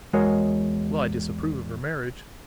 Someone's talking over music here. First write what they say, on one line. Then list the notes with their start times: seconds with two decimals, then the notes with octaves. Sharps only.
Well, I disapprove of her marriage.
0.13 E2 G#3 F#4 A#4 C#5 D#5